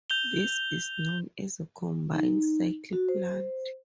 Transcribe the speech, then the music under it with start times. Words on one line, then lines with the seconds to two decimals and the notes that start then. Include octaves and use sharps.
This is known as a combined cycle plant.
0.10 G6 F7 G7
2.14 D#4
2.93 F#4
3.09 C5